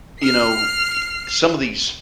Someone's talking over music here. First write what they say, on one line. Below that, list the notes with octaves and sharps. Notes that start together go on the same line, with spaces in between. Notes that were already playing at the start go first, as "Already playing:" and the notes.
you know, ye some of these
F6 C7